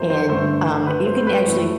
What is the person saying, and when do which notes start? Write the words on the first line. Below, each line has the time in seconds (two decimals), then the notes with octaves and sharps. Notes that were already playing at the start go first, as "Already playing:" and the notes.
and, um, you can actually
Already playing: F#2 F#3 C5
0.10 C5
0.29 G2 D3 A3 C5
0.87 B4
1.06 C5
1.17 C5
1.27 B4
1.46 F#2 E3 A3